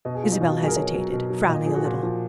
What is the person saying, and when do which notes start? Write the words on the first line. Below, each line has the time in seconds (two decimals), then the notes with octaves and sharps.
Isabel hesitated, frowning a little.
0.05 B2 D#5
0.15 G#4
0.23 F#3 F4
0.32 D#4
0.41 B2 F4
0.51 F#4
0.59 F#3 G#4
0.68 A#4
0.76 B2 C#5
0.94 F#3
1.12 B2
1.30 F#3
1.49 A#2 D#5
1.66 F3 G#4
1.75 F#4
1.85 A#2
2.03 F3